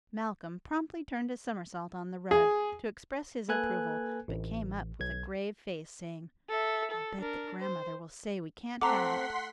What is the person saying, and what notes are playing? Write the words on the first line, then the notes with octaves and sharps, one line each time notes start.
Malcolm promptly turned a somersault on the rug, to express his approval, but came up with a grave face, saying, "I'll bet that grandmother will say we can't have it."
G#4
A#3 A4 B4 G#5 F#6 G#6
A1
B1 G#6
A4 E5
A4
D4 A#4
C5
A3 C4 F#5 A5 A#5 C6 D6 B6